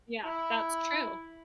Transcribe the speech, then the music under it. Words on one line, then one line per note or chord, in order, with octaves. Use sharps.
Yeah, that's true.
E4